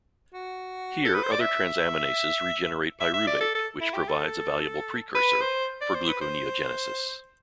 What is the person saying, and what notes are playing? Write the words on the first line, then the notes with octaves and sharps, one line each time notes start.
Here other transaminases regenerate pyruvate, which provides a valuable precursor for gluconeogenesis.
F#4
A4
B4
C5
D5
E5
E5
E5
D5
A4
A4
E4
G4
A4
B4
C5
D5
C5
B4
C5